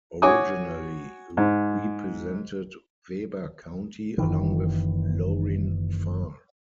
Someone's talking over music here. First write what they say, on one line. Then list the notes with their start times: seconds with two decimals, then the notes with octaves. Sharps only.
Originally, he represented Weber County along with Lorin Farr.
0.22 F#4 C#5 G#5 D6 D#6
1.37 G#2
4.18 F#1 C3 D#3 E3